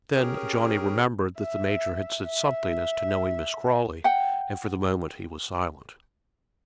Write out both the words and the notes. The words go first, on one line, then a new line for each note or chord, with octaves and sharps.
Then Johnny remembered that the major had said something as to knowing Miss Crawley, and for the moment he was silent.
C#4 G4 G#4 A#4
E5
E5
F#5 G5